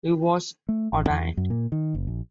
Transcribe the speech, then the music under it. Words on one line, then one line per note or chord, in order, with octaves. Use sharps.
He was ordained.
A3
A1
E2
F#2
A#2
D#3
F#1
A#1